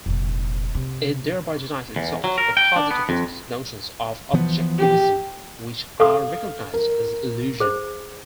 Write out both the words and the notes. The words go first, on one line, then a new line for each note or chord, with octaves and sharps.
It thereby denies itself the positivist notions of objectivism, which are recognised as illusion.
F1 A#2
C3
E2
F#3
A#4
G5
D4
B3
F2
E3 F3 B3
G4
A4 F5 D#6
A#4
G#4 C5